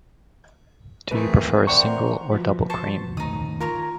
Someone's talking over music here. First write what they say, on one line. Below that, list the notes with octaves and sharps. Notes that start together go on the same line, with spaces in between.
Do you prefer single or double cream?
F2 E3 F3 A3 G#4 A#4 B4
A#4 C5 D5 F#5 G5 A#5 C6 C#6
F3 F4 F#4 B4
C5 A5 C#6
D#3 A3 D#4 D#6
F4 A#4 C#5 A#5